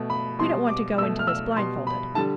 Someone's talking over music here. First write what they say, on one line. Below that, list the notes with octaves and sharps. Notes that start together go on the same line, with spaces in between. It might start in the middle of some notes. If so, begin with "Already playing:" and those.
"We don't want to go into this blindfolded."
Already playing: B2 A3
B5
B2 G3 C6
D6
B2 A3 E6
F6
E6
B2 G3 C6
B5
D3 G3 A5